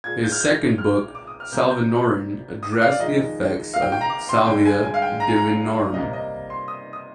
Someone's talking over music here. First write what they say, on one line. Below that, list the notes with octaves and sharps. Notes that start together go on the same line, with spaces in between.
His second book, "Salvinorin," addressed the effects of "Salvia divinorum".
A#2 G#3 G#6
G6
F6
G6
F6
D6
D6
D#6
F6
C3 G3 A#3 G6
G6
D#6
D6
F5
D5
F2 D#3 G#3 D#5
F5
G5
G5
A#5
D6
C6
G2 D3 G#3 G5
G#5
G#5
F5
G5
A#5
G#5
A#5
C3 G3 A#3 D#5
D#5
C6
D#6
D#6